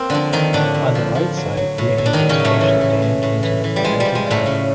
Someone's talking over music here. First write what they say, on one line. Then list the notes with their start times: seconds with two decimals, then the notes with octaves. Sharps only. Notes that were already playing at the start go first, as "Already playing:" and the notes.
On the right side, three angels push the damned into the fires of hell.
Already playing: A#3 C4
0.10 D3 F3 D4
0.33 D#3 F3 D#4
0.53 A2 D3 D4
0.74 A2
0.95 F3
1.15 F3
1.37 F#3
1.57 F#3
1.78 A2
1.98 A2
2.06 D4
2.13 D#3 D#4
2.19 F#3
2.29 C#3 C#4
2.39 F#3
2.45 A2 A3
2.61 E3
2.81 E3
3.02 A2
3.23 A2
3.43 E3
3.64 E3
3.76 G3
3.84 F3 G#3
4.00 F3 G3
4.15 G#3
4.26 A2 C#3 A3
4.46 C#3